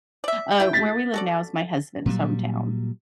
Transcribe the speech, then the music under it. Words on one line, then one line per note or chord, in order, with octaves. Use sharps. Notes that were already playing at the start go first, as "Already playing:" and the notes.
Uh, where we live now is my husband's hometown.
D5 E5
E4 G5
A6 B6
F#4 A4 D5
A#2 F#3 G3